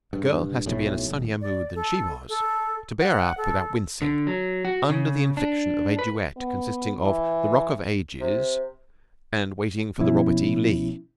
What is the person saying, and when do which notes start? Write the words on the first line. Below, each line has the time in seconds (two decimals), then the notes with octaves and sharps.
A girl has to be in a sunnier mood than she was to bear up without wincing under the infliction of a duet consisting of the Rock of Ages and Waiting for the Robert E. Lee.
0.13 G2
0.66 B1 A2
1.06 D#1
1.42 D5
1.75 A4
2.29 A4
3.00 F#5
3.38 A4
4.02 D3
4.27 F#3
4.65 F#4
4.89 C#3
5.37 D4
5.99 B4
6.37 B3
7.00 E3
8.20 C3
9.98 B2 F3 B3 C#4 E4